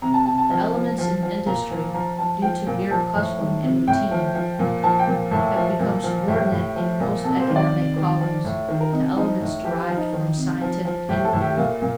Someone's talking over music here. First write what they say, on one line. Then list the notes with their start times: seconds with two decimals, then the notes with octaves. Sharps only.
The elements in industry due to mere custom and routine have become subordinate in most economic callings to elements derived from scientific inquiry.
0.02 C3 A#5
0.14 A5
0.26 C3 A5
0.38 A5
0.50 F3
0.74 F3
0.98 F3
1.22 F3
1.46 A#2 A#5
1.70 F3
1.94 F3 A#5
2.19 F3 A5
2.42 F3 G5
2.67 A#2
2.91 F3 A5
3.15 A2
3.39 D#3
3.63 C3
3.87 A2 G5
4.11 F3
4.35 F3
4.59 A#2
4.83 F3 A5
4.99 G5
5.07 A#2
5.31 A2 A4
5.56 F3
5.80 A#2
6.03 F3
6.28 A2 G4
6.52 A2
6.76 F3
7.00 A#2
7.24 C3 A4
7.40 C5
7.48 D#3
7.56 D5
7.72 C3
7.96 D#3
8.20 F3
8.45 A2
8.68 D#3
8.80 A#4
8.93 C3 D#4
9.04 D4
9.16 F3 D#4
9.40 A2
9.64 F3 G4
9.81 F4
9.89 F3
9.97 D#4
10.13 D#3
10.37 C3
10.61 F3
10.85 F3
11.09 A2 G4
11.25 A4
11.33 A2
11.41 G4
11.57 A#2 F4
11.82 A#2